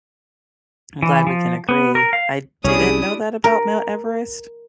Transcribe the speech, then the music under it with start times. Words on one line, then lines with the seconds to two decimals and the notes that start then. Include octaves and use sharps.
I'm glad we can agree. I didn't know that about Mount Everest.
1.02 E3
1.27 F3
1.69 B3
1.95 A#4
2.13 F5
2.64 C2 C#4 D4 E4 G4 G#4 D#6
3.44 A#4